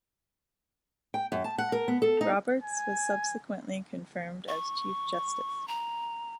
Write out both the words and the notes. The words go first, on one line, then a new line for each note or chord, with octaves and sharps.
Roberts was subsequently confirmed as Chief Justice.
G5
F#2
A5
F#5
A#4
B3
A4
D#4
G#5
C#6
A#5